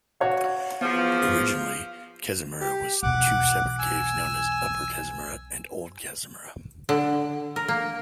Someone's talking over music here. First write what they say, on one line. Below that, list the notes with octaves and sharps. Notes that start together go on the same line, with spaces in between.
Originally Kazumura was two separate caves known as Upper Kazumura and Old Kazumura.
F#4 C#5 F5
E2 F3 B3
G4
B1 E2 F#5 D6
G#5 E6
D3
A#4
A#3